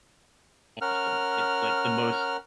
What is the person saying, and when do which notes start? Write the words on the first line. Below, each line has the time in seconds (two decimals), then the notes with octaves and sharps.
awesome. It's, like, the most
0.81 C#4 A#4 F#5 F6